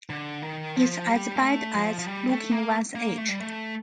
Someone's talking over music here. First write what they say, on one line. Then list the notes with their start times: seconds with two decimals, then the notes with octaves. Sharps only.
It's as bad as looking one's age.
0.10 D3
0.42 D#3
0.76 F3
1.08 G3
1.36 A#3
1.42 A3
1.74 F3
1.99 F3
2.08 G3
2.29 A3
2.51 A#3
2.95 A#3
3.18 A3
3.29 G3
3.40 A3